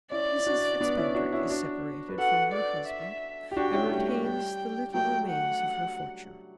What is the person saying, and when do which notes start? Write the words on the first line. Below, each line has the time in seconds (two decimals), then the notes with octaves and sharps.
Mrs Fitzpatrick is separated from her husband, and retains the little remains of her fortune.
0.12 C#4 E4 D5
0.38 E4
0.47 D4 F#4
0.81 B3 D4
0.98 C#4 E4
1.15 D4 F#4
1.32 C#4 E4
1.50 D4 F#4
2.08 B4
2.18 F#4 A4 F#5
2.53 D5
2.87 E5
3.51 G4
3.56 D4 F#4 G5
3.74 C#4 E4
3.86 A3
3.91 G3
4.09 G3
4.25 G3 G5
4.94 F#3 A3 G5
5.29 F#5